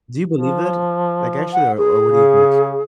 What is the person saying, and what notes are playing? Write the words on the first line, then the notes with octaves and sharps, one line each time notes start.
Do you believe that? Eh, like, actually, or or what do you think?
F3
F#5
G#4
C#3